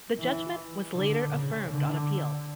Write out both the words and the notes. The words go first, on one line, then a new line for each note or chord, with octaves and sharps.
The judgment was later affirmed on appeal.
E3
D3
C#3
D3